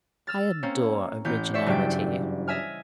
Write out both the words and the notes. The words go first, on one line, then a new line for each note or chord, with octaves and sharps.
I adore originality.
E6 F6 A6
A#3 C4 C#4
A1 C#4 G6
C5 D5 E5 C#6
F#1 G2 G5 D7
D#5 E5 G#5 F6